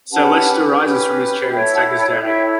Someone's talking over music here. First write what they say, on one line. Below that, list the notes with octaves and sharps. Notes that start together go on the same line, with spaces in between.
Sir Leicester rises from his chair and staggers down again.
C#4 G4 B4 F#5 A5
C#4 G4 B4
E4 A4 C#5 E5 G5
F#5 A5
G5 B5
E4 A4 C#5 E5 G5